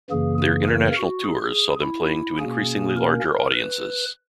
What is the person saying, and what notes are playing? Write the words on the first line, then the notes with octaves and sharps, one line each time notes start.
Their international tours saw them playing to increasingly larger audiences.
F#2 C#3 E3 A#3 G#4
G#4
A#4
F#4
G#4
E4
B2 A#3 C#4 G#4
A#4
A#4
B4